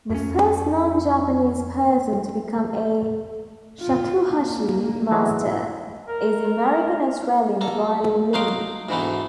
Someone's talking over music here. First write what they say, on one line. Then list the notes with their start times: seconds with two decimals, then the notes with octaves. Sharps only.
The first non-Japanese person to become a shakuhachi master is the American-Australian Riley Lee.
0.10 F2 A#3 C#4
3.80 F4
4.24 A#3
5.11 E3 F#3 G#3
6.08 A#4
7.61 A#3 A4
8.33 F#3 D#4 F5 C6 D6
8.89 D2 G#2 B2 D3 E3 A3